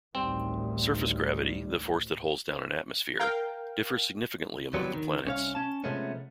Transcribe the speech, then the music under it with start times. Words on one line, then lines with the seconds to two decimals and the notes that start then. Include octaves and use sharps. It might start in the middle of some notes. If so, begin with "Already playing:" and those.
Surface gravity, the force that holds down an atmosphere, differs significantly among the planets.
0.15 A1 D2 D#3 G3 C4
3.19 A#4 F5 G5
4.73 D#2 C3 F#3 G3 B3
4.94 D#3
5.26 C2 C#4 C#5 F5
5.55 C#4 A5
5.84 C3 F3 G#3 A3 B3 C#4